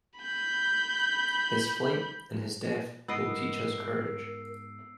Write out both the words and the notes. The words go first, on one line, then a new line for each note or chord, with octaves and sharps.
His flight and his death will teach us courage.
B5 G6
G#2 B3 A#4 D#5 E6 C7 D7